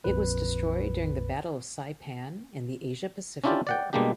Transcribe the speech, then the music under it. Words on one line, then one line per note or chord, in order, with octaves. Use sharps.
It was destroyed during the Battle of Saipan in the Asia–Pacific War.
A#1 F2 A#2 B4
C#4 D4 E4 F4 G4 D5
D5 F#5 G5
B2 G3 G#3 A#3 D4 G4